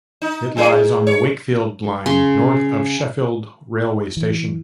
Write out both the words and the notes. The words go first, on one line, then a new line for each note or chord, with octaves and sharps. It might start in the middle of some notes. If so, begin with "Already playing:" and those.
It lies on the Wakefield Line north of Sheffield railway station.
D#4
A#2 G3 G#4
G#2
C#5
C#3 C6
E3